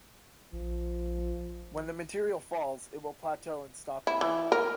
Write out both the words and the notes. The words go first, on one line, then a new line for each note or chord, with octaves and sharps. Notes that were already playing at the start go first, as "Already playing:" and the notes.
When the material falls, it will plateau and stop rising.
A#1 F3
E4
E3
A#4